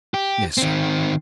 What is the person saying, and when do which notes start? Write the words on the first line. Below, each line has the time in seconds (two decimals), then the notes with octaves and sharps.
"Yes, sir."
0.14 G4
0.58 D#3 C4